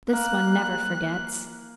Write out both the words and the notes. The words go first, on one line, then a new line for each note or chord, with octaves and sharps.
"This one never forgets!"
A#3 F#6